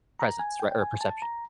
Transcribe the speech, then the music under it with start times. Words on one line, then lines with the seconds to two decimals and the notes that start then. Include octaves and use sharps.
presence, right, or perception
0.19 A#5
0.39 G#5
0.60 G5
0.71 G5
0.81 G#5
1.01 A5
1.22 A#5